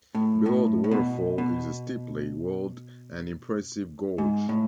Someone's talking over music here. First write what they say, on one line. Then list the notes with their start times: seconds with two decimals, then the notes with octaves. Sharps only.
Below the waterfall is a steeply walled and impressive gorge.
0.15 A2
0.46 A2
0.84 A2
0.91 B2
1.38 B2
4.18 G#2
4.49 A2